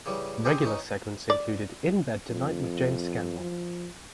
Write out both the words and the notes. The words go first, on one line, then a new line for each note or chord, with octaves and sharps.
Regular segments included "In Bed Tonight with James Scanlon".
C#3 E3 G3
C4 G4 G#4 C5 G#5
E3 C#4 D#4
D5
F2
F3